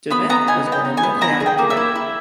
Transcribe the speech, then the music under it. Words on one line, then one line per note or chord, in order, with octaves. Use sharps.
Demers was born in Montreal, Quebec.
B3 B5
B3 A#5
D#4 G#5
B3
G5
D#4
G#5
B3
E4 A#5
G#4
G5
A#3
E5
E4
E4